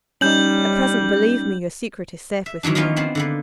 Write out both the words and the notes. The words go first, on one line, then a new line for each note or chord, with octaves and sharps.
At present, believe me, your secret is safe with me.
G3 C#4 D#4 G6 F#7
E5
D#3 E3 F#3 D4
D#3 F3 A#3 B3 C#4 F4
B3 C4 D4
D3 A#3 B3